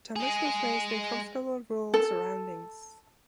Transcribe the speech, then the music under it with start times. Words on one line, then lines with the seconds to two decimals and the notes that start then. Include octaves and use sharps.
Thomas was raised in comfortable rural surroundings.
0.16 G#3 G#4
1.94 A4